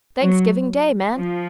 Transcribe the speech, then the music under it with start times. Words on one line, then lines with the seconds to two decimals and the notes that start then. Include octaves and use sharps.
'Thanksgiving Day, man!
0.22 F#3
1.15 F3